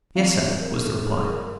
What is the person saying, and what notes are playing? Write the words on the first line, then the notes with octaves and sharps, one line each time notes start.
"Yes, sir," was the reply.
E3 A3 C4 F4 F5
E5
A#4
A4
G#4
A#4